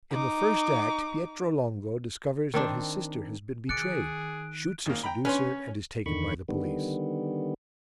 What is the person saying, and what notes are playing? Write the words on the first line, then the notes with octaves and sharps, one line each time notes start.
In the first act Pietro Longo discovers that his sister has been betrayed, shoots her seducer and is taken by the police.
D#4 D6
D#3 C4 D4
D#3 G#4 D6 F#6 A6 C#7 D7
G#1 A#3
G5 A#5 B5
C#4 B4 C#5 C6
E2 D3 D#3 B5 C#6
D3 D#3 G3 B3